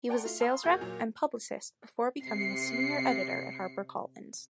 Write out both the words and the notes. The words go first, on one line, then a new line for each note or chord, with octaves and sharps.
He was a sales rep and publicist before becoming a Senior editor at HarperCollins.
D5 F#5 G5 A5 A#5 C6
A3 F4
F5 A5 B5 C6 D#6 F6
F1 A#3 F#4 G#4 G6
A#2 F#3 A#3
C3 C7 C#7